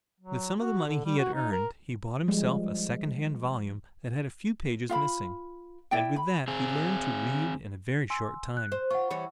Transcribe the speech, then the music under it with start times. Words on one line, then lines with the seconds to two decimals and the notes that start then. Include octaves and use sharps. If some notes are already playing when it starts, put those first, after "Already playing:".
With some of the money he had earned, he bought himself a secondhand volume that had a few pages missing, and with that he learned to read in a very short time.
0.21 F#3
0.59 F#4
0.86 D3
1.05 G3
1.18 F#4
1.34 D#4
1.52 A#4
2.28 F3 G3 G#3
4.89 F4 F5 B5
5.91 E4 D5 G5
6.16 B5
6.48 C4 G#4
8.10 G#5 C6 E6
8.57 F#6
8.72 C5
8.91 F4 F#5 C#6
9.11 E3 G3 C#5